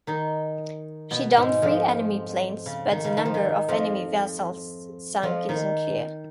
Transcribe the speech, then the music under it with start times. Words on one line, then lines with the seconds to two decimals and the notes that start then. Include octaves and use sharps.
She downed three enemy planes, but the number of enemy vessels sunk is unclear.
0.07 D#3 D#4
1.11 B2 B3
1.37 G#2 G#3
1.62 F2 F3
2.66 C#3
2.91 D#3
3.04 C#3
3.17 D#3
3.25 F3
3.34 D#3
3.69 F2 F3
5.23 F2 F3
5.49 D#3